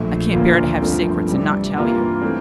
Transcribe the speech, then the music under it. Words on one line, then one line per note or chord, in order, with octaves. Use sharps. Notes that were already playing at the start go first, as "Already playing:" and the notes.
"I can't bear to have secrets and not tell you."
Already playing: A#1 A#2 A3
D2 D3 F3 A#3 F4
G1 G2 F3 A3 C4
C3 E3 G3
G2 E3 A#3 F4 A#4
E3 A3 C4